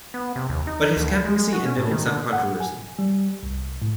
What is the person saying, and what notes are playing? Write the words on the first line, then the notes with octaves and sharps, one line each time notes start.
But his captaincy ended in some controversy.
B3
C3
D#2
D#4
D2
G#3
G#3
F#4
C#4
A2
D#3
D3
F#5
G#5
G3
C2
A2